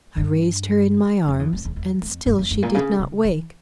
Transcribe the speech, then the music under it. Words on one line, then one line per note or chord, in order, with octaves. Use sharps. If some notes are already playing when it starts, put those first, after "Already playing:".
I raised her in my arms, and still she did not wake.
G2
F2
E2
F2
E2
E2
F2
G2
F2
G2
A#2
C#3
C#3
E3